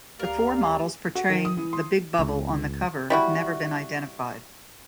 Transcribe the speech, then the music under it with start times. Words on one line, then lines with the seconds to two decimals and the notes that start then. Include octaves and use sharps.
The four models portraying the Big Bubble on the cover have never been identified.
0.20 D2 G4 A#4 D5 F5 A#5
1.15 F#4
1.30 D#3
1.45 D#6
1.57 E3
1.73 C6
2.19 C#2
3.10 G3 E4 F#4